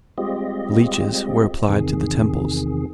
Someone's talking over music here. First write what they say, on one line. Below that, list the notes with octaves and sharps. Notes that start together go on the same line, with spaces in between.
Leeches were applied to the temples.
G3 G#3 C4 F4 G4 D#5
E2 C3 D#3 G#4